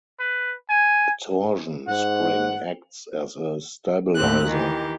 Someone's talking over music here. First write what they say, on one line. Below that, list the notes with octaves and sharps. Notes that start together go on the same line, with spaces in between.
A torsion spring acts as a stabiliser.
B4
G#5
G#2 F#5
D#2 A2 C4 G4 F#6
D#3 E3 G4